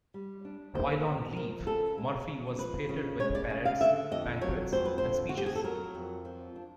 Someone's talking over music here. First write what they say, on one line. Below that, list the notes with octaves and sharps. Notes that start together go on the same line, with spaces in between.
While on leave, Murphy was feted with parades, banquets, and speeches.
G3
D4
A#3 C5
B2
F3 A#4
C#3 A4
G#3
C#3
F3 B4
C#3
G#3 C#5
D5
C#3
F5
D3 E5
F2 D#5
F#3 C#5
F2 C5
B4
C5
D3
F#4
F2 G4
G#4
A4
F#3 A#4
F2
F3
D4